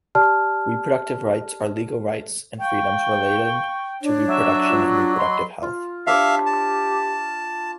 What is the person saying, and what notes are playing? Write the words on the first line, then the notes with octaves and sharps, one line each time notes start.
Reproductive rights are legal rights and freedoms relating to reproduction and reproductive health.
G4 D5 A5 F6
F5 G5 C#6
D4 C#5
F#3 E5
F4
D#5 B5 C6
F4
D4 G4 C#5 D5 E5 F5
A5